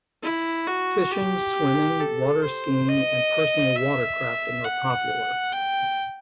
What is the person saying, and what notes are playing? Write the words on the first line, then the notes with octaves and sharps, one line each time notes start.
Fishing, swimming, water skiing, and personal watercrafting are popular.
E4
F#4
G4
A4
C5
D#5
E5
F#5
G5